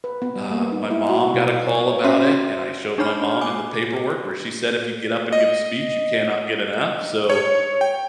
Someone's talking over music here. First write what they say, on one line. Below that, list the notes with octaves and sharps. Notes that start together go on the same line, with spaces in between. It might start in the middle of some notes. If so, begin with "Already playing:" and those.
uh, my mom got a call about it, and I showed my mom in the paperwork where she said if you get up and give a speech you cannot get an F so,
B4
B3
G3
A#3
D#4
E4
F#4
B2
C#5
C#4 F#4 C5 C#5 E5 C6
D4 D#4 G#4 C#5 B5 F6
G#5 D6
D#5
C#5
G5